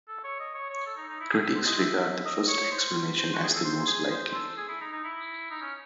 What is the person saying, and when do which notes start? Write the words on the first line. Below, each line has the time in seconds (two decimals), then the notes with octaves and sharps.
Critics regard the first explanation as the more likely.
0.08 A4
0.24 C#5
0.40 D#5
0.54 C#5
0.70 C#5
0.86 A4
0.97 D#4
1.09 D#4
1.20 E4
1.32 G#4
1.43 A4
1.55 C5
1.67 D#5
1.78 E5
2.25 D#5
2.48 C#5
2.71 C5
3.18 C5
3.34 F#4
3.43 G#4
3.55 A4
3.65 C5
3.87 G#4
4.11 C5
4.33 A4
4.57 G#4
4.69 E4
4.81 D#4
4.92 D#4
5.04 E4
5.51 D#4
5.62 C#4